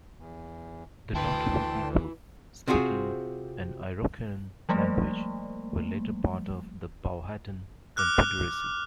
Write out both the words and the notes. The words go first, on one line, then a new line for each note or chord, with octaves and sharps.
The Nottoway people, speaking an Iroquoian language, were later part of the Powhatan Confederacy.
E2
D2 E4 B4 G5 A5 C6
C3 C4 F4 F#4 G#4
F3 G3 A3 A#3
D6 F6 F#6